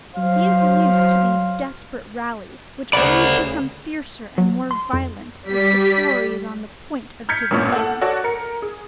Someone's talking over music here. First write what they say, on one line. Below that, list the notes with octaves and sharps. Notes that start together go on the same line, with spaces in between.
He is used to these desperate rallies, which always become fiercer and more violent as the quarry is on the point of giving in.
F#3 C5 F5
D2 C#3 A#4 C5 D5 F#5 B5
F#3
C6
F2
G3 B6
F6 G6 G#6 B6 C#7
A1 G2 A#2 C#4 C#5
A4 F#5
F#4 A4 C#5 D5 F#5
A#4 C#7
G#4